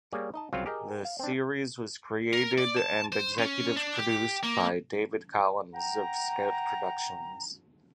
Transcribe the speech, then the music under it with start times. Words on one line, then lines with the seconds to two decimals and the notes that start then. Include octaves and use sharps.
The series was created and executive produced by David Collins of Scout Productions.
0.12 G3 A#3 G#4 C#5 D5 G#5
0.34 D#4 D#5 A5
0.53 C2 C#3 F#3 C4 F4 F5
0.66 G4 G#4 A#4 D#5 G5
1.05 F5
1.19 C4 D4
2.33 A#4
2.58 D5
2.77 A5
3.12 C5
3.39 C#4
3.76 D4
3.99 G4
4.43 A#3
5.74 F#5 G5 A#5